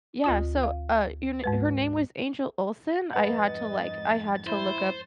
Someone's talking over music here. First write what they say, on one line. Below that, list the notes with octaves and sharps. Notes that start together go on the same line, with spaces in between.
Yeah, so, uh, your n her name was Angel Olsen, I had to, like I had to look up
D2 F4 D#6
F5
G#2 G#3 B4
F2 G#2 B4 D#5 F#5 A6
E4 C5